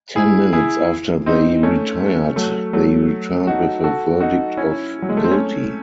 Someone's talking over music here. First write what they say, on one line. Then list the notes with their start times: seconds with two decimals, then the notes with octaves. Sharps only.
Ten minutes after they retired, they returned with a verdict of guilty.
0.16 E4 G#4
0.53 E4 G#4
1.26 C4 D#4
1.63 A3 C#4
2.36 F#3 A3
2.73 F#3 A3
3.47 D#4 F#4
3.84 F#4 A4
4.20 D#4 F#4
4.57 C#4 E4
5.02 F#3
5.09 G#3
5.17 A3
5.24 C4
5.31 A3 C#4